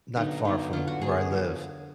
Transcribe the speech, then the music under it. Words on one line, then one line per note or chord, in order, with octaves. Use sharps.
not far from where I live
D3 F#3 B3 D#4
D3 F#3 B3 D#4
D3 F#3 B3 F4
F#4
D3 F#3 B3 G#4
F3 B3